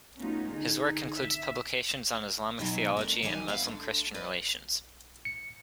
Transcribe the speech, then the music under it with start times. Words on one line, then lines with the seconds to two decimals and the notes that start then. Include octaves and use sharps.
His work includes publications on Islamic theology and Muslim-Christian relations.
0.18 A3 B3 C#4 D#4 F4 F#4
0.49 D3 D#4 G#4
1.17 E5
2.59 B2 D#3 E3 F#3
2.97 A3 D4 A#4
3.22 D#3 E3 G3 D#4 D#5 G#5
3.48 B3 E5 F5
3.66 D3 A3
4.14 B4 D5
5.25 C#7